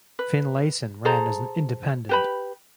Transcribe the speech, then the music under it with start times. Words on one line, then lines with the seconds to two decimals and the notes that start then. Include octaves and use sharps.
Finlayson ran as an independent.
0.19 B4
1.05 G#4 A4 C5 A#5
2.09 G4 B4 B5